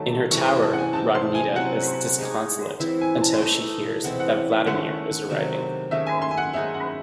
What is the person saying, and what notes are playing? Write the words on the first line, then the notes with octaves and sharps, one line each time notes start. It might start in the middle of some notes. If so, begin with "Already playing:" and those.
In her tower, Rogneda is disconsolate until she hears that Vladimir is arriving.
Already playing: D#3 F#3 A3 A5
A5
C3 E3 G#3 C#6
C6
A5
F#5
G#5
E3 G#3 C4 D#4 A5
C6
G#5
C3 F#3 C4 F#5
G#3 D#4 G#4 C#5
E3 C4 E4
G#5
A5
E3 A3 D#4 A4
E3 G#3 C4 F#5
F#5
F#5
E5
D#3 A3 C#4 F#5
C3 D#3 F#3
D#3 A3 C#4 G#4 E5
G#5
C6
G#5
F#5
G#3 D#4 G#4 C#5 E5
F#5